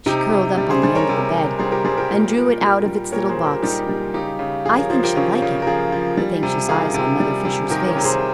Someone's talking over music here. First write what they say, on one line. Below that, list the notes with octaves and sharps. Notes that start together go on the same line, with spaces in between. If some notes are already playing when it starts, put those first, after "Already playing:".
She curled up on the end of the bed, and drew it out of its little box. "I think she'll like it," with anxious eyes on Mother Fisher's face.
C3 D#4 G4
C3
G3
G#4 C5
G3 G#4 C5
A#4 C#5
C3
C3
G3 G#4 C5
G4 A#4
G3 G#4 C5
G4 A#4
A#2
A#2
G3
G3
A#2 A#4 C#5
G#4 C5
A#2
G4 A#4
G3 D#4 G4
G3
C#3 D#4 G4
C#3
F3 F4 G#4
A#4 C#5
F3 G#4 C5
G4 A#4
C#3 C#4 F4
C#3
A#4
F3 F4 G#4
F3
G3
C3
D#3 F4 G#4
C3
G3
C3
D#3 G4 A#4
A#4 C#5
C3
G#4 C5